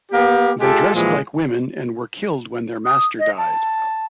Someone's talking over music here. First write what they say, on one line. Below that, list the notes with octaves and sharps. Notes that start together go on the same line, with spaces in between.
They dressed like women and were killed when their master died.
A#3 B3 G4
G#3 F4 G4 A4
A#2 E3 F3 G3 G#3
D#6
D#5
A5